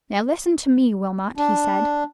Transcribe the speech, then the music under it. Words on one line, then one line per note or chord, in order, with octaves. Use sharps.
"Now, listen to me, Wilmot," he said.
D4